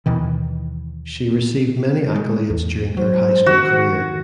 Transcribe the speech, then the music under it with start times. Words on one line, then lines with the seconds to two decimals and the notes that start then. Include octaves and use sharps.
She received many accolades during her high school career.
0.06 D#2 B2 D#3 E3
2.16 G#3
2.50 E2
2.97 F#3 C5
3.46 D#3 F#4